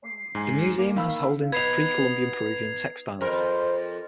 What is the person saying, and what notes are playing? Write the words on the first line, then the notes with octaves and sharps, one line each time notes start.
The Museum also has holdings of pre-Columbian Peruvian textiles.
C7
G#2 G#5
A#3 D6
D#3 F5 B5 E6
B3 D#4 G#6 C7 F7
F2 A#4 C5